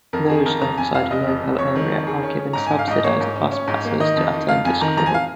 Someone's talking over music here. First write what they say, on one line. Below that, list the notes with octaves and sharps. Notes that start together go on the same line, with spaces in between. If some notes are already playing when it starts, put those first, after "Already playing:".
Those outside the local area are given subsidized bus passes to attend the school.
F2 A#4
D#3 G#4
F2 A#4
F2 A#5
F2 G#5
F1 F5
F1 D#5
F2
F1
F2 C#5
D#3
F2
D#3 G#4
C#4
C#4
G#2 A#5
G#2 G#5
F5
G#2 D#5
A#3 C#5
G#2
C#4
C#4
G#2
A#3
D#3 D#5
F2
D#3
F2 F5
F2 G#5
D#3 A#5
F2 A#5
G#5
F5